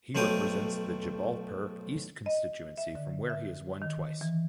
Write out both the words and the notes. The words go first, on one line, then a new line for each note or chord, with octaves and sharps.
He represents the Jabalpur East constituency from where he has won twice.
B1 F3 F#3 A3 G5 D#6
D#5
E5
D3
E5
D#3
E3